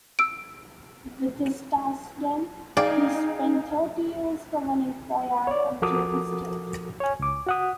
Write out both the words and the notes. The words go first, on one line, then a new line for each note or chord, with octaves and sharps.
With his task done, he spent thirty years governing Poyang until his death.
E6 D7
D#4 G#4 D5 F5 G5
C#5 D5
F3 F#4 A4 A#4 D6 D#6
C#5 G#5
C#2 D6
F#4 F#5 D#6